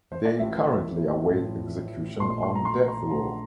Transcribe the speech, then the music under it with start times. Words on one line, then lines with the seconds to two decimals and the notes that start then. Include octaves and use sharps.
They currently await execution on death row.
0.12 C5
0.25 D5
0.38 A1 A2 F3 E5
1.30 A1 A2 F3
2.20 A#1 A#2 A3 D4 C6
2.43 C6
2.55 A#5
2.65 C6
2.88 C6
3.11 A#1 A#2 A3 D4 A#5